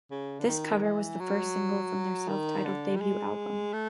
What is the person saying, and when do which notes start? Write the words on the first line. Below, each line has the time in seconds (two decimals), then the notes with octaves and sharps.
This cover was the first single from their self-titled debut album.
0.11 C#3
0.40 D3
0.47 D#3
0.83 E3
1.20 F#3
2.28 D#3
2.65 D3
2.96 G3
3.01 G#3
3.73 A3